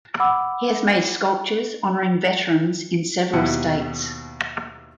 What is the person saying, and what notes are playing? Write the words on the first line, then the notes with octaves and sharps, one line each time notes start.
He has made sculptures honoring veterans in several states.
F#5 B5 D6 E6
D#2 B2 E4 G4 F#5